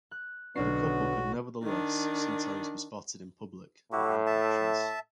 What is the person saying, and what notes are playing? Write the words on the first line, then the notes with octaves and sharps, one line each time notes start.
The couple could nevertheless sometimes be spotted in public at art auctions.
F#6
B1 D3 B3 C#4 D4 F#4 C7
D#3 D4
A2 E4 F#4 G4
E5 A5